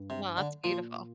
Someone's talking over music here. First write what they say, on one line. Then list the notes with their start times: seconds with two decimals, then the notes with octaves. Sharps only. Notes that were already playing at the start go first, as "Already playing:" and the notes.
Well, that's beautiful.
Already playing: G2
0.10 C3
0.37 D3
0.64 A#2 F3